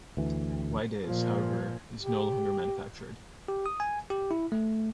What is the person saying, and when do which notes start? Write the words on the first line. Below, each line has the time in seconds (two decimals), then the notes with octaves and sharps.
Wydase, however, is no longer manufactured.
0.17 D2 E3
1.05 A#2 F3
2.00 G4
3.48 G4
3.66 D#6
3.80 G#5
4.10 G4
4.31 E4
4.52 A3